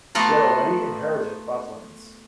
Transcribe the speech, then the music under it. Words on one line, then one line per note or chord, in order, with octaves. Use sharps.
He had already inherited Broadlands.
A3 B3 F4 A#5